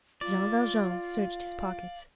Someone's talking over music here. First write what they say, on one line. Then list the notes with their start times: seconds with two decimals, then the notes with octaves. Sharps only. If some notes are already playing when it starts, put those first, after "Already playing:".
Jean Valjean searched his pockets.
0.21 F4 D5
0.89 F5